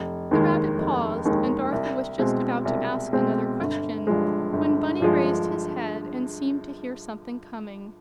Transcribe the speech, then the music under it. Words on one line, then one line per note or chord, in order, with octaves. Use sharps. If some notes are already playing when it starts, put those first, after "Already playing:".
The Rabbit paused, and Dorothy was just about to ask another question when Bunny raised his head and seemed to hear something coming.
Already playing: F1
D#2 D#3 G#3
F1
D#2 D#3 G#3
C2
B2 G#3 C4
C2
B2 G#3 C4
G1
G2 F3 G#3
G1
G2 F3 G#3